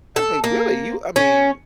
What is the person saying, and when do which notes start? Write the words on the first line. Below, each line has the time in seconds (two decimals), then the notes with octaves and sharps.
I was like, “Really, you I mean
0.16 A4
0.44 A#3
1.16 C#4